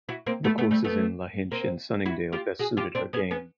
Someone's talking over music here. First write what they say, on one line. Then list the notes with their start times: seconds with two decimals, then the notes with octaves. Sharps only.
The courses in Lahinch and Sunningdale best suited her game.
0.09 E4 F#4
0.26 A#3 C4
0.44 A3 B3
0.58 A3 B3
0.71 G3 A3
0.84 A3 B3
1.52 A#3 C4
2.05 E4 F#4
2.32 F4 G4
2.59 F#4 G#4
2.77 F4 G4
2.95 C4 D4
3.13 B3 C#4
3.31 B3 C#4